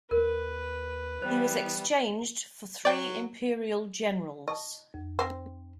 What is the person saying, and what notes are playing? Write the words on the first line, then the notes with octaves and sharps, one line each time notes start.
He was exchanged for three imperial generals.
D#2 A#4 B4
E3 G3 B3 C5
F#3 D5 G5
D#5 A5 C#6
F2
C4 C5